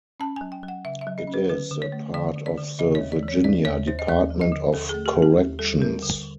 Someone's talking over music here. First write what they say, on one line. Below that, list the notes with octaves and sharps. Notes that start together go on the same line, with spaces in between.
It is a part of the Virginia Department of Corrections.
C#4 A5
F#3 G#5
G5
F#3
F#5
C#3 E5
E5
F#3
D#5
C#4
B4
D3 B4
D3
C#5
A3
D3 D5
D3
D5
D3
C#3 D#5
C#5
D#2
D5
E3
C#5
D#2 D5
D#2 C#5
D#2 C5
D#5
D#2 D5
F3
D#5
D3
D#2 A4
A3 G#4
G4
D#2
G4
D#2
G3 A4
G3 A#4
D3